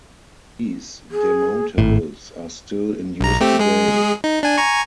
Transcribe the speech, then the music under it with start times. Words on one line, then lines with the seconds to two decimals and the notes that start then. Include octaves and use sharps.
These demountables are still in use today.
1.11 G#4
1.78 G#1 A2
3.21 B1 A#5
3.41 A3 C4 G4
3.59 G#3 G#4
4.24 D#4
4.43 D4 G#5
4.58 G#5 A#5 C#6